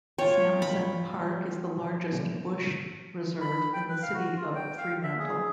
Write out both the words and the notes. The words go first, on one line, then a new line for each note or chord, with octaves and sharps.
Samson Park is the largest bush reserve in the city of Fremantle.
F4 C#5 G5
B5
B5
G5
B4
F5
F#4
F4
G5
F5
E5
G#4